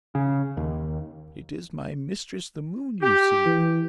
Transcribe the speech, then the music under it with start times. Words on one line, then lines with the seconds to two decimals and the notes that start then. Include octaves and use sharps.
'It is my mistress, the Moon, you seek.
0.15 C#3
0.57 D#2
3.02 G4
3.46 E3